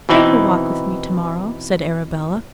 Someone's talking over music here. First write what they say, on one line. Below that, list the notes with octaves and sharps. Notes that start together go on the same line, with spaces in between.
"Take a walk with me to-morrow," said Arabella.
B2 E3 C4 D#4 E4